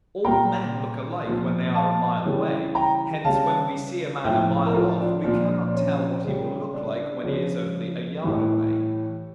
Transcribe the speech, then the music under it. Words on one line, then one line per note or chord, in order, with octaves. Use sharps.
All men look alike when they are a mile away, hence when we see a man a mile off we cannot tell what he will look like when he is only a yard away.
A#2 G3 G5 A#5
A#2 F3
F5 A5
C#3 E3 G3
G5 A#5
C#3 G3 F5 A5
A2 F3 E5 G5
A#4
F4 A4
D4 F4
A#2 F3 D4
D4
C#4
C#3 G3
D4
C#3 F3
A2 E3 G3